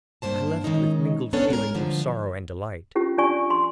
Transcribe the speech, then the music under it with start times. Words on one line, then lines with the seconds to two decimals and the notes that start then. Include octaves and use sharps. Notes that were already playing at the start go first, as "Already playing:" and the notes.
I left with mingled feelings of sorrow and delight.
0.22 G2 A#3 C5 A5
0.64 D#3 G#3 C#4 D#4
1.33 B3 C#4 D4 A4 C#5
1.50 G#3 A#4
1.74 G2 D3 F3
2.95 C#4 F4 G4
3.17 C#4 D4 F4 D5 G#5 C#6
3.50 C6